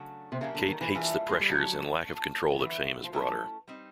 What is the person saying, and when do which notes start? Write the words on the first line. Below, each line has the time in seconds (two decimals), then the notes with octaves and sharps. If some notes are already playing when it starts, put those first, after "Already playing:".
Kate hates the pressures and lack of control that fame has brought her.
Already playing: C#3 F#3 A3 D4 F#4
0.32 C3
0.41 C#3 F#3 A#3 D4 G4 A#4
0.55 D3
0.68 D#3
0.81 E3
0.94 E3 G3 A#3 D4 F4 G#4
1.29 G#3
1.39 G3
1.49 D3 F3 F#3 A3 D4 G4
2.04 A3 D4 F4
2.52 D#3
2.58 D3 E3 F#3 B3
3.04 F3
3.13 F#3 A3 C#4 E4 A4
3.68 G3 C4 D#4